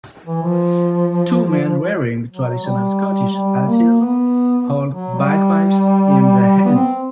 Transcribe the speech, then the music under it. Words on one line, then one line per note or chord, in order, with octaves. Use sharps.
Two men wearing traditional Scottish attire, hold bagpipes in their hands.
E3
F3
F#3
G3
G3
A#3
B3
F#3
G3
B3
C4